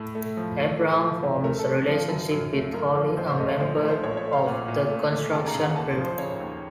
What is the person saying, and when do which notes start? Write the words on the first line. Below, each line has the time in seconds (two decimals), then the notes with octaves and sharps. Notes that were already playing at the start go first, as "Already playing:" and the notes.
Abraham forms a relationship with Holly, a member of the construction crew.
Already playing: A2 A3
0.15 A3
0.37 F3
0.59 A3
0.79 A3
1.02 F3
1.23 A2
1.44 A3 A#4
1.59 A4
1.66 A3
1.88 F3
2.08 F#2
2.31 F#2
2.53 A3
2.73 F#1 A#4
2.95 F3
3.17 A#1 C5
3.27 C5
3.38 A3 D#5
3.49 F5
3.60 A#1 C5
3.75 A#4
3.82 A3
3.88 C5
4.03 A#1 C#5
4.17 C#5
4.25 A3
4.33 F5
4.46 A#2 F#5
4.68 A#2
4.89 A3
5.12 A3
5.33 C#3 A5
5.47 A#5
5.55 C#3
5.61 F#5
5.76 D#2 A5
5.90 C5
5.97 F3
6.04 C5
6.18 C#3 C#5
6.40 D#2